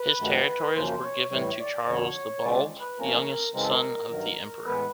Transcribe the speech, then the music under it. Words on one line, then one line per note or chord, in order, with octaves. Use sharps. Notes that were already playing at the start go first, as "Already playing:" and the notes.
His territories were given to Charles the Bald, youngest son of the Emperor.
Already playing: B4
G2 D#3 F#3 A3
F#2 C#3 F3 A#3 C#4 C5
C#5
A2 E3 G3 C#5
D5
F2 D3 F#3 C#5
C#3 F3 G#3 C4 D5
B4
C3 F3 A#3 C#4 A#4
C#3 E3 G#3 C4 A#4
A4
A#4
G2 D#3 F#3
A2 E3 G#3 B3 B4